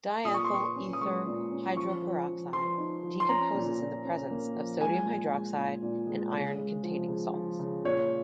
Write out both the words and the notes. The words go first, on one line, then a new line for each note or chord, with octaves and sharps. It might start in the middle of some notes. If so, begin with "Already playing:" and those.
Diethyl ether hydroperoxide decomposes in the presence of sodium hydroxide and Fe-containing salts.
A#2 D#6
C#6
C6
A#2 C#6
C#4
D#6
G#3 C#6
A#2
C#4
F3 C#6
F3
F3
F3 C6
D#4
F3
C6
C#4 A#5
A#2
A#2
C#4
A#3
F3
G#3 G#5
A#2
G#3
A#2
A#2
G#3
C#3
G#3
F3
C#3
F3
C#3
A#2 C#5